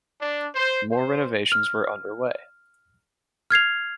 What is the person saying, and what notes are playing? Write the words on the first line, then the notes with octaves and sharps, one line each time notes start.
More renovations were underway.
D4
C5
C5
F6
F6 G#6 C7 F7